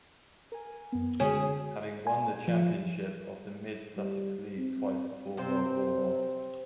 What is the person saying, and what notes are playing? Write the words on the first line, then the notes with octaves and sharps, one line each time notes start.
Having won the championship of the Mid Sussex League twice before World War One.
A#4 G#5
F#2 B3
D3 G#3 C#4 F#4 G#4
G#5
F3
G3
C4
C3 C4 C5